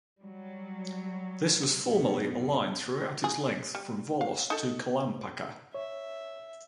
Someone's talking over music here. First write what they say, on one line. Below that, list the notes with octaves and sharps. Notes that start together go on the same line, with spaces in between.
This was formerly a line throughout its length from Volos to Kalampaka.
F#3 G3
F#2 B2 B3
G#4
G3
F5
D#4 A4
C#5 E5